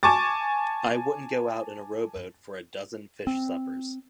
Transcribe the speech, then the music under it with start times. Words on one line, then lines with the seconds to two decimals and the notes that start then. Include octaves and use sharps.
I wouldn't go out in a rowboat for a dozen fish suppers.
0.03 G#5 A5 C#6 D6 A6
3.27 C4